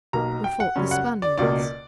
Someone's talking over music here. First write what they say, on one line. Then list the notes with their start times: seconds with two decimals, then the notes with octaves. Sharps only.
We fought the Spaniards.
0.13 B1 B2 A#3 A#5
0.44 G5
0.60 F#5
0.76 F#2 C#3 G3 C#4
0.91 F#5
1.22 D5
1.38 C#2 B2 A#3 D5